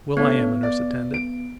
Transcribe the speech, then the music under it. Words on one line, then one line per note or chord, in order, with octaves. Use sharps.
Well, I am a nurse-attendant.
D3 A3 B3 C#4
D5
D7